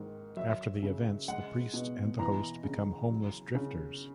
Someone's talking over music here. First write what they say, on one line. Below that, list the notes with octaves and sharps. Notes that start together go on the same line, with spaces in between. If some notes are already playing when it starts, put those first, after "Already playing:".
After the events, the priest and the host become homeless drifters.
Already playing: G#2 D#3
F#3 E5
C#3
G#3 F#5
B2
E3 A#5
C#3
F#3
C#3